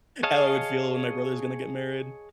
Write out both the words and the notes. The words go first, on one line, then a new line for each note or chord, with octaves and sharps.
how I would feel when my brother is gonna get married.
G#4 C#5 D#5 F5 A5